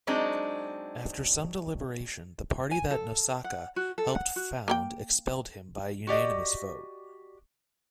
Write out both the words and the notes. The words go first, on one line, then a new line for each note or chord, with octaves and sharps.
After some deliberation, the party that Nosaka helped found expelled him by unanimous vote.
F#3 G#3 C4 D4 D#4
G#5
A4
F#5
F#4
A4
F#5
F#4
A#3 A#4 G5
F#4 G4 D5 D#5